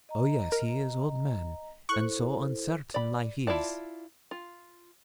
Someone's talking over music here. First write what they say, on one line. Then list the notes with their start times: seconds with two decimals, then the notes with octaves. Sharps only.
Oh, yes--he is old man, and so uncertain life is.
0.09 D#5 A#5
0.52 A#4
1.89 E4 A4 C5 C#6 F#6
2.94 D5 B5
3.47 E4 F4 D5 A5
4.31 F4